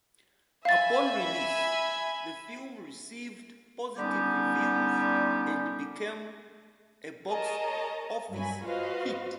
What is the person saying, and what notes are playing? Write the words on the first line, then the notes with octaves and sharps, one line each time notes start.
Upon release, the film received positive reviews and became a box office hit.
E5 F5 G#5 B5 A6
D3 G3 B3 C#4 D#4 G4
G#4 A#4 C#5 D#5 A5 A#5
G2 F#3 G#5 B5
F4 F#4 B4 C5 D#5 F5